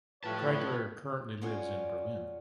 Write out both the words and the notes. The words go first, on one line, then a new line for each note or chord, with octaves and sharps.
Kreidler currently lives in Berlin.
A2 G3 F4 B4 C#5 A5
C#4 F4 F#4 G#4 D5